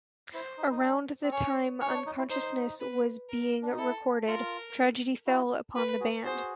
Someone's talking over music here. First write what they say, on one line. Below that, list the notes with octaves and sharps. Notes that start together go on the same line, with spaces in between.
Around the time Unconsciousness was being recorded tragedy fell upon the band.
E4 C5
D#4
D#4
D4
C4
C#4 C#5
C#4 C#5
D#4
D4
D#4
E4
D#4 C5
B4
A#4
D4
D#4
E4 A4
F4 A#4
E4 F#4
F4 G4 B4
F#4 G#4
F#4 G#4 C5